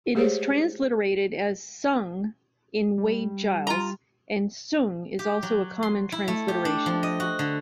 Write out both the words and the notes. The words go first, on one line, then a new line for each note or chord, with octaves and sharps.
It is transliterated as Sung in Wade-Giles, and Soong is also a common transliteration.
G#3 A3 G4 G#4 C5 C#5
G3
F4 A#5
G4
F#3
C6
E4
A3
G4
D4
F3
D#5
F#4
D3